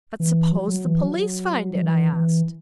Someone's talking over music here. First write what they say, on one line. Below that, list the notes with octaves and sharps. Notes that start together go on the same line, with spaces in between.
"But suppose the police find it?" I asked.
E3
F#3
F#3
E3
F#3
F#3
E3
E3